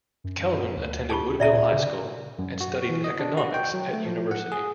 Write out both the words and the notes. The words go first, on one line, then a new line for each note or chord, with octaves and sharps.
Kelvin attended Woodville High School and studied economics at university.
F#2
D2
F4 G4 A5
A#2 D5 E5 A#5
C#3
F#2
F#4
E3
D#5
D4
F#4
G5
F#3
A3
F3
F#5
G#4